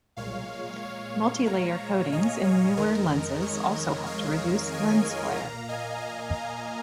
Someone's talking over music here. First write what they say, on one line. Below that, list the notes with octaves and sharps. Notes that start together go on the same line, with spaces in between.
Multi-layer coatings in newer lenses also help to reduce lens flare.
A#2 G#3 C#5 F5
C#5 F5
F5 A#5
D#5 G#5
C#5 F5
F2 D#3 G#3 A#4 D#5
C#5
C#5 F5
D#5 G#5
A#2 A#3 F5 A#5
D#5 G#5
F5 A#5
F5 A#5